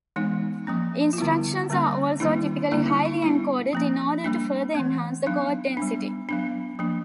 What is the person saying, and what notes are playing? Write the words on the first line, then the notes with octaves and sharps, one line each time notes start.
Instructions are also typically highly encoded in order to further enhance the code density.
E3 G#3 B3 D#4
F3 A#3 C#4
F4
D3 G3 B3 E4
D3 G3 A#3 C#4
D#3 G3 A#3 D4 E4
D3 G3 A#3 D4 E4
D#4
E4
G3 B3 D4 E4
F3 A#3 C#4
G3 A#3 D4
E3 A3 C4
F#3 B3 D4 D#4
G3 B3 D4
F#3 B3 D4
F3 A#3 D4